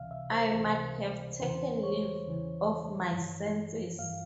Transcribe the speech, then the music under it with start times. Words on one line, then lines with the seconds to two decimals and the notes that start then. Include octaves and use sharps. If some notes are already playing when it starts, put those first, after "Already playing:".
I might have taken leave of my senses.
Already playing: C#2 C3 E3 E5 F5
0.11 E5
0.32 C5
0.54 C#2 C3 E3 A#4
1.40 E2 C#3 E3 C5
1.83 C#5
2.26 E2 C#3 E3
3.13 G2 E3
3.99 G2 E3 F5